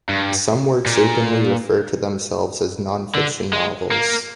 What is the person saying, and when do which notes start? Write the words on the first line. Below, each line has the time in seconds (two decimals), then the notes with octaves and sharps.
Some works openly refer to themselves as 'nonfiction novels.
0.09 G2
0.86 A#2
3.15 D3
3.53 G#3
3.91 A#3